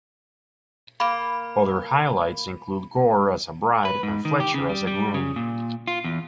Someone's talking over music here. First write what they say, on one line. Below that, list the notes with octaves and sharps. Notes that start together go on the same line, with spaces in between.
Other highlights include Gore as a bride and Fletcher as a groom.
A#3 B5
B4
G#2
D#3
G4
C#3
G3
G3
C#3
A#2
F4
E2